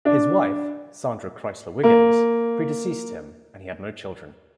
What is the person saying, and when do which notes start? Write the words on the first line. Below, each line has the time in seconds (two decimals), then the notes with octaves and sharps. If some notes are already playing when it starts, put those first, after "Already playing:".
His wife, Sandra Crysler-Wiggins, predeceased him, and he had no children.
0.05 D4
1.83 A#3